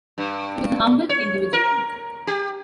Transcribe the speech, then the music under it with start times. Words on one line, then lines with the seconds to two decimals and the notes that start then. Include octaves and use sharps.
He was a humble individual.
0.18 G2
1.09 C#5
1.53 A#4
2.27 G4